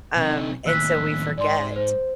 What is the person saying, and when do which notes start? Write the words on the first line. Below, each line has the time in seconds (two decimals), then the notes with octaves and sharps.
um, and so we forget.
0.16 C3 D#4
0.66 D#2 A2 E6 F#6 B6
1.38 G#2 D5 C6
1.76 C5